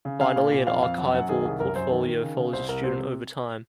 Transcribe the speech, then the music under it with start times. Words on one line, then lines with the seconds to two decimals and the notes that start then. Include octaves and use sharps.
Finally, an archival portfolio follows a student over time.
0.05 C#3
0.20 C#3 F5
0.36 A#2
0.52 A#2
0.67 F2 F5
0.82 F2 F5
0.98 F#2 F#5
1.14 F#2 F#5
1.29 D#3 G#4
1.45 C2
1.60 F#2 A#4
1.76 F#2 C5
1.91 D#3
2.06 D#3
2.23 C#3
2.37 C#3
2.53 C2 C5
2.68 C2 A#4
2.84 C3 C5